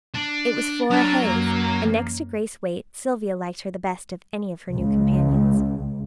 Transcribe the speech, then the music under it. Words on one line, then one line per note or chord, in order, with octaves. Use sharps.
It was Flora Hayes; and, next to Grace Waite, Sylvia liked her the best of any of her new companions.
D4
F#3 D4 A#4
F#2 A#3
C#2